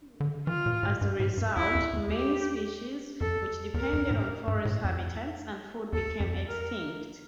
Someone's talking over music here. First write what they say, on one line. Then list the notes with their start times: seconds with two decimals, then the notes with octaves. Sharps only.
As a result, many species which depended on forest habitats and food became extinct.
0.20 D3
0.47 E3 F4
0.66 A#2
0.83 A2
1.01 G2
1.20 A2
1.38 G2
1.56 F2 E4
1.75 E2
1.93 E2
2.11 G4
3.21 F2 A4
3.74 E2 A#4
3.93 F2
4.11 A2
4.48 G2
4.65 A2
4.84 F2
5.93 E2 A4
6.20 F2
6.48 A#4